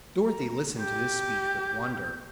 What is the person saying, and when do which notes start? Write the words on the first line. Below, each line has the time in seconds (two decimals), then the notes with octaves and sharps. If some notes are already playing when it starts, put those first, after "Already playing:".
Dorothy listened to this speech with wonder.
0.25 A#5
0.79 G4 G6